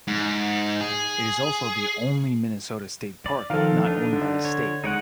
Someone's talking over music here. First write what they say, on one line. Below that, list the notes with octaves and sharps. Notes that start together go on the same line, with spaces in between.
It is also the only Minnesota state park not owned by the state.
G#2
G#4
D5
D#3 F3 A4 A#4 F5
D4 D#4
D3
C#5
G#3 D#4 C#5 F#5 D7